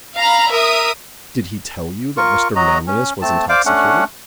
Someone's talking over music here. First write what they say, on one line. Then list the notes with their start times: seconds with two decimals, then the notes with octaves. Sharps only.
"Did he tell you that Mr. Manlius was intoxicated?"
0.17 F5 A#5 B5
0.52 A#4 E5 D#6
2.17 F4 A#4 C#6
2.56 F#3 F#4 D#5 A#5
2.87 C#4
3.22 A3 C4 A5
3.49 C5 D5 F5 D6
3.66 A3 C#4 D4 F#5